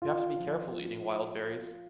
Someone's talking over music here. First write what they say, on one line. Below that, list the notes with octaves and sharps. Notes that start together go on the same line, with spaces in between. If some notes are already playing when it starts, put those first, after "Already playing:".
You have to be careful eating wild berries.
F4
F3
F4